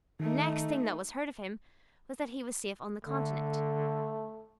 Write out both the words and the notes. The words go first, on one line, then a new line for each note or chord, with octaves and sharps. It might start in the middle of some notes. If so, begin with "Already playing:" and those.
The next thing that was heard of him was that he was safe on the Continent.
D#3 A3 D#4
D3 A3